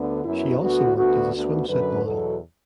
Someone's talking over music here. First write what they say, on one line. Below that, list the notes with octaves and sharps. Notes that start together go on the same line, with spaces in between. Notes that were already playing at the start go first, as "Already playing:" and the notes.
She also worked as a swimsuit model.
Already playing: D2 D3 B3
F#2 F#3 B3 E4
D2 D3 B3 F#4
D2 D3 B3 F#4
D2 D3 B3 F#4
F#2 D3 F#3 B4
E2 B2 F#3 A4